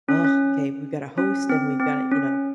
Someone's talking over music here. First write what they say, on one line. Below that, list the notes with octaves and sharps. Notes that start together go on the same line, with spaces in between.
"Oh, okay, we've gotta host, and we've gotta" you know?
C#4
C#4
C#4
C4
C4
C#4